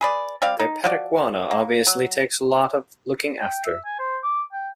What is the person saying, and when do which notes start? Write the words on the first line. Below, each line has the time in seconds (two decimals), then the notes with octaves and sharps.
Their pet iguana obviously takes a lot of looking after.
0.01 G#4 B4 D5
0.42 G3 C4 D5 F5
0.59 D#4
0.84 F3 F#4 D5
1.51 A#3
1.87 F#3
3.41 G5
3.65 E5
3.85 G#5
3.99 C5
4.23 D6
4.53 G5